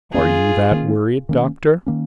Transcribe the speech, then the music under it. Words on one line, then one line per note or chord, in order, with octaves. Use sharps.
"Are you that worried, Doctor?"
D#3 A#3 C#4 F4 G#4
D#3 A#3 C#4
D#3 A#3 C#4
D#3 A#3 C#4